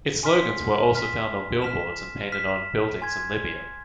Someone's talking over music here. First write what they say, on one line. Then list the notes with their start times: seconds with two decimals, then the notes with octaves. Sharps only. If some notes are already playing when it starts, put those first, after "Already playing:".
Its slogans were also found on billboards and painted on buildings in Libya.
0.23 G#5 C6 F6 B6
0.93 G#5 C6 F6 B6
1.62 F6 B6 E7
2.32 F6 B6 E7
3.02 G#5 C6 G#6